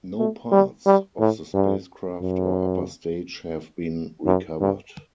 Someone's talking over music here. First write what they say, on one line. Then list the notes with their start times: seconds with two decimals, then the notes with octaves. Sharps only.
No parts of the spacecraft or upper stage have been recovered.
0.18 A3
0.52 G3
0.86 G3
1.20 A2
1.54 G2
2.22 F#2
4.26 F#2
4.60 G2